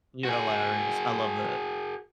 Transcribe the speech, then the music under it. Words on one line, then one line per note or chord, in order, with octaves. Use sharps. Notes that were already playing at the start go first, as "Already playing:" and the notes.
You're hilarious. I love that.
F#4 G#4